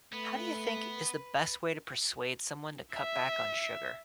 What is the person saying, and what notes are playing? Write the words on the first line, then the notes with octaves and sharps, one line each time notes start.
How do you think is the best way to persuade someone to cut back on sugar?
A3 B3 B4
E5